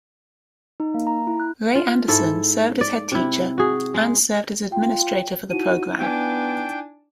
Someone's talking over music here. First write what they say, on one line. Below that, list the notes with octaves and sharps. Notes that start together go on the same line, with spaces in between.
Ray Anderson served as Head Teacher and served as administrator for the program.
D#4
A#3
A#5
E4
F#6
F4
G#2 E4 A4
D5
C3 E4
F#4 G#4
G#3
F4 G5
D#4 E4 F#4 D#7
B3 D4 G5 G#5